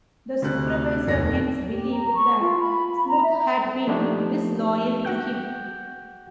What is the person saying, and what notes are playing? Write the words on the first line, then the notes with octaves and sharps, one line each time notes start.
The supervisor hence believed that Smoot had been disloyal to him.
D2 C3 F#6
F1 D#2 B2 A#6
G4
A#5
C#6
F4
B5
B5
A#5
E5
A#5
A4
F3 A3 B3 D4 D#4 G4
F#4 F#5 G5 G6